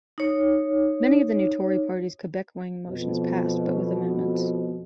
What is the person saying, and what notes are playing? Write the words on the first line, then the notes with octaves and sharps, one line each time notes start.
Many of the new Tory party's Quebec-wing motions passed, but with amendments.
D#4 C#5
F2 B2